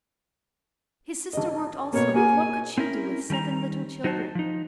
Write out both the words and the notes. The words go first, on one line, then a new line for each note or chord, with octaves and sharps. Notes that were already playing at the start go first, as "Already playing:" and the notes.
His sister worked also but what could she do with seven little children?
G#1 D#5
B2 A#3 C#5
A#3 F#4 G#4 G#5
C4 C#4 E4 A#4
D#3 G3 G#5 A#5
F#3 D#4 F#4 C5 A5
F3 D#4